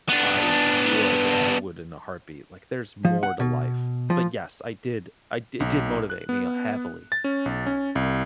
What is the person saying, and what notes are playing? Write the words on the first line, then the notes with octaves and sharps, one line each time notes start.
I would. I would in a heartbeat, like, there's more to life. But, yes, I did. I it did motivate me heavily.
B3 D4
F3
F#5
B2
F3
B1
F#6
B3
A6
C#4
B1
C#4
C2